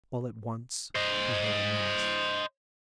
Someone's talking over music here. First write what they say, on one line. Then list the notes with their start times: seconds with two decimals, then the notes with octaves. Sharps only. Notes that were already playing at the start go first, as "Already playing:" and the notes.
All at once he heard a menace.
0.96 C5 D#5